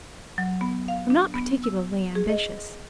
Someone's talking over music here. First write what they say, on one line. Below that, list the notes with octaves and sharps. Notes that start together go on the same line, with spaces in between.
I'm not particularly ambitious.
F#3
B3
F5
D4
B3
E6
G#4
D#5